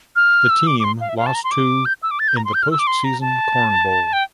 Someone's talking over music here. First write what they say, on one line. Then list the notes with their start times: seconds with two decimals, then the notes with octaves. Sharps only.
The team lost to in the postseason Corn Bowl.
0.16 F6
0.50 E6
0.67 D6
0.80 D6
0.84 C6
1.01 F5
1.09 E5
1.18 F5
1.26 A5
1.35 A#5
1.44 C6
1.51 D6
1.85 G6
2.03 E6
2.11 D6
2.19 A6
2.28 G6
2.37 A#5
2.45 C6
2.54 G6
2.63 F6
2.71 E6
2.79 D6
2.87 C6
3.04 A#5
3.21 A5
4.13 G5